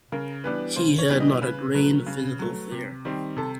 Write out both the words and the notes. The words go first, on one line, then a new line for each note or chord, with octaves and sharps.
He had not a grain of physical fear.
C#3 A#4
E3 G3 B3 D4 B4
C#3 C5
C#5
E3 G3 B3 D4
D#5
C#3 B4
F#3 A3 B4
C#3
F#3 A3
C3
D#3 G3 C4
C3 A4